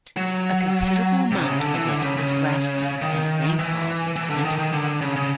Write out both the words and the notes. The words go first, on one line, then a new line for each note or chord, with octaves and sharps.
A considerable amount of it was grassland and rainfall was plentiful.
F#3
C3
C#3
D3
E3
D3
C#3
C#3
D#3
E3
E3
D3
D#3
D#3
D3
C#3
C#3